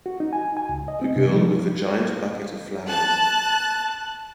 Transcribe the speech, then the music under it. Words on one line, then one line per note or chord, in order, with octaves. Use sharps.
A girl with a giant bucket of flowers.
F#4
D#4
G#5
G#5
C#2
D#5
C4
C3
F3
A5 F#6